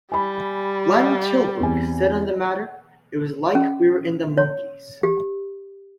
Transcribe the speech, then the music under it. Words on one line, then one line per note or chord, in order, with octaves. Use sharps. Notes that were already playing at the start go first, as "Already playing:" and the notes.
Glenn Tilbrook said on the matter, It was like we were in The Monkees.
G3 G#5 B5
E2 C4 G#5
C#4
C#5
G4